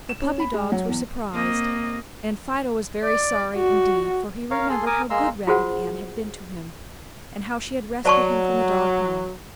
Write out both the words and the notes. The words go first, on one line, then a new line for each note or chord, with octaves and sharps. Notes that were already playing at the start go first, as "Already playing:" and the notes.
The puppy dogs were surprised, and Fido was very sorry indeed, for he remembered how good Raggedy Ann had been to him and how she had rescued him from the dog-pound.
E7
C#4
B5
G#3
F#3
E2
A#3 C4 D#5
D5
F#4
A#4 C#5 F5
G#4 A4 C6
A#4 G#5 D6 D#6
G#3 A#3 A#5 C6 E6
F4 F#4 G#4 A#4 C5 F#5
F#3 D5 A5 C#6